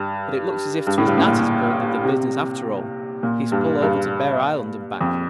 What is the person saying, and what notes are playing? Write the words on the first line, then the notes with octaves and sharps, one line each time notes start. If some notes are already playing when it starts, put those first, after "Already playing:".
"But it looks as if 'twas Natty's pull did the business after all--his pull over to Bear Island and back."
Already playing: G2
G2
A2
G2
A2
A#2
C3
A#2
G2
G2
F2